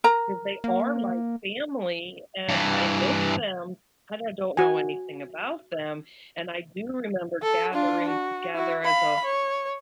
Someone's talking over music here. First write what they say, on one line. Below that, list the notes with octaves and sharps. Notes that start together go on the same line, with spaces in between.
'cause they are my family, and I miss them, and I don't know anything about them. And I do remember gathering together as a
A#4 A#5
A#3
G2 E3
F#4 G#5
A4
D4 F4
F#4
E4 F#4
F5 B5
C#5